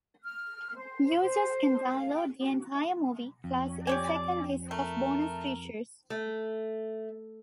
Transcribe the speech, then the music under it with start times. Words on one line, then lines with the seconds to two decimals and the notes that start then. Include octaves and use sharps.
Users can download the entire movie, plus a second disc of bonus features.
0.24 F6
0.76 C5
1.22 C5
1.99 F5
2.14 G5
3.44 F2
3.87 G4 C#5 D5 G#5
4.71 A3 A#4
6.10 A3